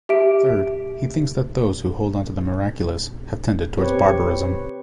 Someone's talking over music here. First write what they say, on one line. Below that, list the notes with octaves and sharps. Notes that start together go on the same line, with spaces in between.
Third, he thinks that those who hold onto the miraculous have tended towards barbarism.
G4 E5 D7
C4 G4 B4 C#5